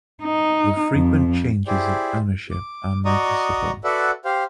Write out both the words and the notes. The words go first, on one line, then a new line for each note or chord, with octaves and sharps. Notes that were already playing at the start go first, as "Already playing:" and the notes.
The frequent changes of ownership are noticeable.
D#4
F2
E4 G4 G#4 C5 D5
D6
F#4 D5 D#5 A#5 C#6 D#6
F#4 A4 B4 D5 E5 F#5
G4 C5 F5